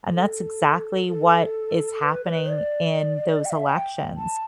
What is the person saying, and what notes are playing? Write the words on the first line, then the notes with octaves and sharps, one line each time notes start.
And that's exactly what is happening in those elections.
A4
A4
B4
D5
B4
D5
G5
E5
G5
A5